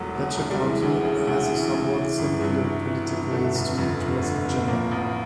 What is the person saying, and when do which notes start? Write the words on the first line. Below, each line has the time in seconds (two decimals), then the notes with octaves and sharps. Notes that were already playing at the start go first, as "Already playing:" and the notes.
Letcher County has a somewhat similar political history to West Virginia.
Already playing: E1 E2 B2 F#3 A3
0.14 B2
0.37 E1
0.50 G3
0.60 E3 G#3
0.82 D2
1.05 C#3
1.27 D2
1.50 E3
1.72 D2
1.96 E3
2.18 G1
2.41 G2
2.64 G1
2.86 E3
3.09 G1
3.31 D3 A3
3.55 F1
3.77 F2
4.00 F1
4.22 D3
4.45 F1
4.68 F3 A#3
4.91 A1